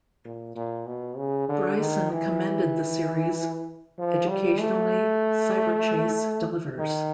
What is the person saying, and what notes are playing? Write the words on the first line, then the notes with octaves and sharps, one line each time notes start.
Bryson commended the series: "Educationally, "Cyberchase" delivers".
A#2
A#2
B2
C#3
D3
D#3
E3
F3
G3
A3
D#3